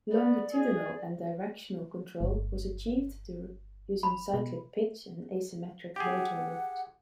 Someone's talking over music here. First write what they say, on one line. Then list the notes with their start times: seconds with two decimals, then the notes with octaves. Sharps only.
Longitudinal and directional control was achieved using cyclic pitch and asymmetric rotor lift.
0.11 B3 D5
0.52 G#4
2.20 G1
4.03 B5
4.34 B2
5.96 G4 G#4 F#5